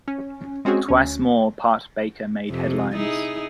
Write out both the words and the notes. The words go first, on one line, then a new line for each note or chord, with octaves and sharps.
Twice more Part Baker made headlines.
C#4
G#3 C4 C#4 F#4 G#4
D2 C#4
F2 C3
D#4 E4 G#4